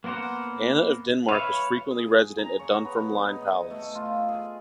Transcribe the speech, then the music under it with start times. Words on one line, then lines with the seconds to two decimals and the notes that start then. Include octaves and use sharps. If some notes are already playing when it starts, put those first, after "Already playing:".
Anna of Denmark was frequently resident at Dunfermline Palace.
0.04 A#3 B3 A#4 C5 F#5
1.29 B4 C#5 E5 F5
1.91 G#4
2.38 A#5
2.59 C#5
2.85 B3
3.23 D#4
3.42 D#5
3.70 A3
3.95 F4
4.29 G#4